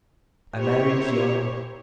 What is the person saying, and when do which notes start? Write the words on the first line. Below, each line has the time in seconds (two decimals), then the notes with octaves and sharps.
I married young.
0.57 E4 G4 A#4 C5 C#5